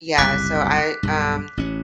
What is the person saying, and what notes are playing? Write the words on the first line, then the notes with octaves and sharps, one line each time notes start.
yeah, so I, um,
F#1 C2 G3 D6 F#6 B6
B1 G2
A1 C#4